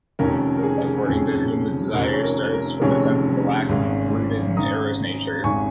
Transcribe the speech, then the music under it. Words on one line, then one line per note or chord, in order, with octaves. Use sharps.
According to whom the desire starts from a sense of lack rooted in Eros nature.
F1 F2 D#3 C#4 A#4
A#4
G#4
F1 F2 D#3 C#4 G#4
F1 F2 D#3 C#4 A#4
C#5
A#4
A#4
F1 F2 D#3 C#4 G#4 C#5
G#1 G#2 D#3 C#4
G#1 G#2 D#3 C#4 A#5 D#6
G#1 G#2 D#3 C#4 G#5 C#6